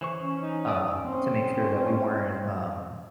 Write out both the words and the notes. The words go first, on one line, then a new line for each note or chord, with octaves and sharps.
uh, to make sure that we weren't, um,
E3 C5 C#6
C#4
D#4
B4 D5 D#6
C4 C#4